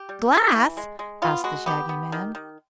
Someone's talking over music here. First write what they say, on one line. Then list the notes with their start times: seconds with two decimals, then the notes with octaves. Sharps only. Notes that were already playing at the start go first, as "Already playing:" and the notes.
"Glass?" asked the Shaggy Man.
Already playing: G4
0.09 G3
0.32 E3
0.54 E3
0.77 G#3
0.99 G#3
1.22 B3 F4
1.44 G#3 F#4
1.66 B3 G4
1.89 B3
2.12 D#3
2.35 D#3